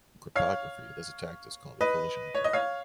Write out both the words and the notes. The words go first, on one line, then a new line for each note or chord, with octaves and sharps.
In cryptography, this attack is called a collision attack.
C#5 F5
B4 D#5
C#5
D#5
C#5 F5